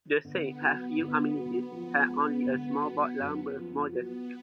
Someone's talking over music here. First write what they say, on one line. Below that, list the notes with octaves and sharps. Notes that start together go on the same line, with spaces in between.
The same had few amenities: had only a small box lumber modest.
D3 B3
F#3
D3 B3
F#3
F3 B3
G#3
D3
F#3
F#2
F3
F#3 B3